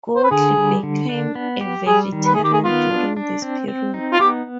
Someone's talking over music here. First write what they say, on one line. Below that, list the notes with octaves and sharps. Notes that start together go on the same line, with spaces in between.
Godley became a vegetarian during this period.
C5
B4
D3 G#4
G3
D3
D4
B3
G4
G3 G#4
D#3
B4
D#3 G#4
G4
G#4
B3 F4
D4
D4
C4
C4
D#4
F4
B3 G4